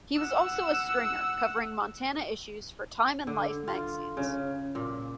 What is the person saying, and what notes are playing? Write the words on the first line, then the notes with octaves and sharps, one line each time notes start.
He was also a stringer covering Montana issues for Time and Life magazines.
F#5 E6
D3
F4
C#3
A#2